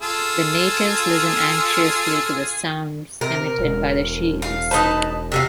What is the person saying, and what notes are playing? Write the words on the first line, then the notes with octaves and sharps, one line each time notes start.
The natives listen anxiously to the sounds emitted by the shields.
F4 G#4 A4
C3 A#4
E1
F5
D#4 B4 A5
C3 F#4 F5